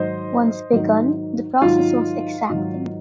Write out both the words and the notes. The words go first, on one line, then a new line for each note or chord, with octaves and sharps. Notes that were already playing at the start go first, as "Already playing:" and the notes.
Once begun, the process was exacting.
Already playing: G#2 D#3 F#3 C5 D#5
G#2 D#3 F#3
G#2 D#3 F#3 F4
G#2 D#3 F#3